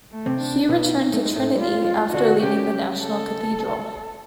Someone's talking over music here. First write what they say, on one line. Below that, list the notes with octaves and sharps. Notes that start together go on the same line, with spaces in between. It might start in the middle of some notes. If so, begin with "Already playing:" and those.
He returned to Trinity after leaving the National Cathedral.
A3
C3 C4
D4
B2 B3 D#4
A3
G#3
A2 A3
G3 F4
G#3 F4
D#4
D3 D4 F#4
C#3 C#4 G4
A4